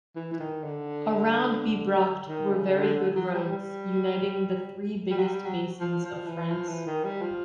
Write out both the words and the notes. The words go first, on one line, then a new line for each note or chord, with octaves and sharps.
Around Bibracte were very good roads, uniting the three biggest basins of France.
E3
E3
D#3
D3
D#3
C#3
D3
F#3
G3
G3
G3
F#3
G3
F#3
F3
F3
E3
F3
E3
D#3
G3
F3